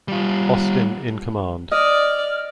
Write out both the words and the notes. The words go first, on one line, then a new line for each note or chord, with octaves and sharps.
Austin in command.
G3 F4
D5 D#5 F6